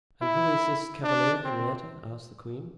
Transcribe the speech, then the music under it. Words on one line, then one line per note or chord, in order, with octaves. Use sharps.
"And who is this cavalier, Henrietta?" asked the queen.
E4
D4
C4